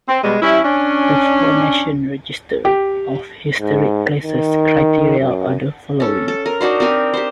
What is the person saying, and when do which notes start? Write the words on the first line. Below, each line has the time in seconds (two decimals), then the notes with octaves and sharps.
The four National Register of Historic Places criteria are the following.
0.08 C4
0.22 B2 G3 G#3
0.42 G3 C#4 E4
0.64 C#4 D4
2.65 G4
3.59 G#2
4.23 D#3
5.19 F#2
6.00 C#4 A4
6.28 A4
6.46 A#4
6.61 D4 D#4 F#4 C5
6.80 C4 G4 A#4 G#5
7.14 G4 C5